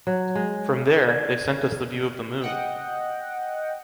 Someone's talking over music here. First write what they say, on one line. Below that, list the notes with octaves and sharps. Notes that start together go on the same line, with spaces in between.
From there, they sent us the view of the Moon.
F#3
G#3
D5 G#6
D#5 F#5 G5